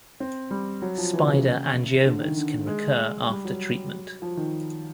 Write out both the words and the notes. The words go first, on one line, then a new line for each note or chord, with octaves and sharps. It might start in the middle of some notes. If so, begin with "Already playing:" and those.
Spider angiomas can recur after treatment.
C4
G3
F#3
F3
E3
C3
C#3
D3
D#3
D3
G#3
G3
F#3
F3
D#3